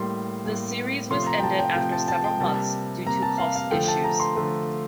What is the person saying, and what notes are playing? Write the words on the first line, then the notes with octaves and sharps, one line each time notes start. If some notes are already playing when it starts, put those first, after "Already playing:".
The series was ended after several months due to cost issues.
Already playing: A2 G3 A#3 C6
A2 G3 A#3
C3 F3 A3 C6
A#5
G5
A5
G5
C3 F3 A3 G5
A5
A5
G5
C3 G3 A#3 A5
C3 G3 A#3 A#5
A5
F5
F5
D3 F3 A3 G5
A5
A#5
C6
D3 F3 A3